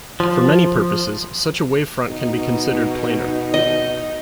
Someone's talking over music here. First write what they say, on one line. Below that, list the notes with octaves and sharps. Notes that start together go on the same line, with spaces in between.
For many purposes, such a wavefront can be considered planar.
F3
B2 D#4
D#5